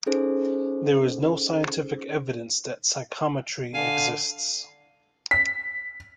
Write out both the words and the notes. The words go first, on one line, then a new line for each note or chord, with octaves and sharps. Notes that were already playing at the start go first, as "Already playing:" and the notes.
There is no scientific evidence that psychometry exists.
C#4 D#4 G#4 A4 C5
D3 F5 G#5
B6